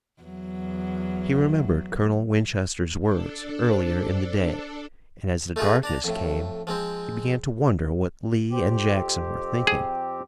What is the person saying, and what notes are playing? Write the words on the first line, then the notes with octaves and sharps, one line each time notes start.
He remembered Colonel Winchester's words earlier in the day, and, as the darkness came, he began to wonder what Lee and Jackson were thinking.
E2 F#3
D4 A4
C5
A3 D#4 F4 F#4 G#4
D4 D5 A#5
F2 A2
F3 G#3 C4
F2 C4 G4
G#4